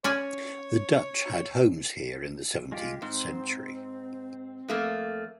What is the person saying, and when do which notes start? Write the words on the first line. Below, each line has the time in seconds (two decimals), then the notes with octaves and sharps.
The Dutch had homes here in the seventeenth century.
0.04 C#4 C#5 D5 G#5
2.72 G#3 F4 G4
3.02 G#2 C4
4.68 F2 A3 A#3